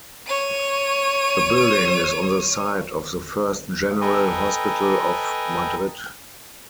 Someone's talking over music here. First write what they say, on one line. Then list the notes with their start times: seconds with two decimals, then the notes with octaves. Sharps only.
The building is on the site of the first General Hospital of Madrid.
0.26 C#5 D#7
4.01 A4 B4 D#5 G5 G#5 A#5